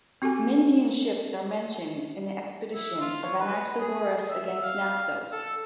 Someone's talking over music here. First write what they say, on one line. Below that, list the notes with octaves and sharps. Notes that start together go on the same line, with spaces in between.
Myndian ships are mentioned in the expedition of Anaxagoras against Naxos.
C4 F#4 G4 A4 G#5
E4
F4
C#5
B4
G#4
E5
F5
A4